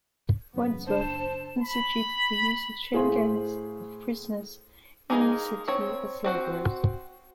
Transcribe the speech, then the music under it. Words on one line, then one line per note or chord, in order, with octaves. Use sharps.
Wentworth instituted the use of chain gangs of prisoners in the city as laborers.
G#1 F#2 C#3 B3
F#1 D4 C5 A5
B5
A2 G#4 C5 F5 C6
G#3 A#3 D#4 G#4
C4 C#5
C4 F#4 C5